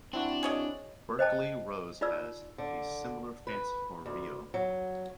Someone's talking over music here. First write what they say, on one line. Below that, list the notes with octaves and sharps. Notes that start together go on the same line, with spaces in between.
Berkeley Rose has a similar fancy for Ryo.
C4 D4 E4 F#4
G#4 C#5 D#5
C5 D#5 G5 A5
D#4 F4 D5 E6
D3
B4
D2
F#3